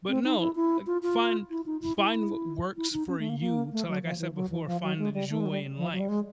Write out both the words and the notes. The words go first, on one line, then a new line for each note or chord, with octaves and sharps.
but no, like find find what works for you to, like I said before, "Find the joy in life."
C4
D#4
E4
E4
F4
F4
E4
D#4
E4
E4
E4
D#4
C#4
A3
A#3
A#3
A3
F#3
F3
E3
F#3
E3
F3
F#3
G#3
G3
A3
G#3
F#3
G3
F3
F#3
G3
G#3